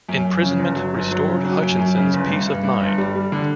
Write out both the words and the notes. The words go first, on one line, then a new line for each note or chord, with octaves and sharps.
Imprisonment restored Hutchinson's peace of mind.
F#2
F#2
C#3
G1
F#3
G1
F#3
C#3
F#3
F#2
F#2
C#3
G1
G2
G2
G2
G1
G3
G3
D3